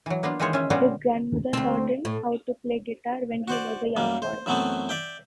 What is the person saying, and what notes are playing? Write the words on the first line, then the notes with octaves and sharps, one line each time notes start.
His grandmother taught him how to play guitar when he was a young boy.
E3 F#3
A#3 B3 D4 F4
D#3 E3 G#3 F4 C5 C#5
C#4 F4 E5
A#2 G3 B3 C#4 F4 F#4
D2 C4
A2
F#4 C5 D5
F#2 G3 A#3
C5
F#2 E3 F#3 A3 B3 C4
D5 E5 G5